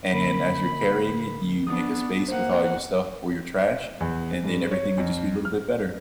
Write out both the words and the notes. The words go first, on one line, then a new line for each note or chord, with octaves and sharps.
and as you're carrying it, you make a space with all your stuff or your trash, and then everything would just be a little bit better.
D3 A#3 A#4 B5
B3 D4 D#6
A#3 C5 F#5
E2
G2
C#5
F2
F6